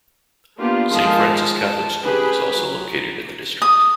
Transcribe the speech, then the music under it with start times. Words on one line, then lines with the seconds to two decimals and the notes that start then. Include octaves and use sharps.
Saint Francis Catholic School is also located in the district.
0.59 A#3 B3 D4 F4 G4
0.91 D#3 F3 G#3 G#4 F5 A5
1.55 A5
2.03 C#4 G4 G#4 B4
2.53 F#3
3.62 D#6